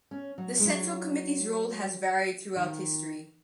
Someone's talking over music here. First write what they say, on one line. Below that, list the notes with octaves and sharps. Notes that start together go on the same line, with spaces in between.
The Central Committee's role has varied throughout history.
C#4
F#3
G#3
F#3
D#3